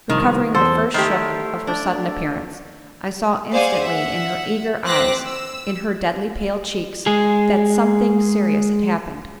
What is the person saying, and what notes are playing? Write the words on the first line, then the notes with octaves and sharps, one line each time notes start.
Recovering the first shook of her sudden appearance, I saw instantly in her eager eyes, in her deadly-pale cheeks, that something serious had happened.
C2 D#3 F3
E2 A4 C5
D#3 A3 E4 G4 C5
D4
G#4 C5 D5 F5 F#5 G#5
E5 F#5
C4 C5 D6 F#6 A#6 B6
E6
G#3 G#4